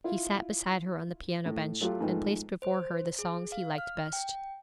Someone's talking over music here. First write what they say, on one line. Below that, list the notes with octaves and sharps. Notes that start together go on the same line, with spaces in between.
He sat beside her on the piano-bench, and placed before her the songs he liked best.
E4 F4
A2
F#3 A3 F4 G4
G#2 D#3 F3 A3 B3
C5
G#4
F5
F6
G5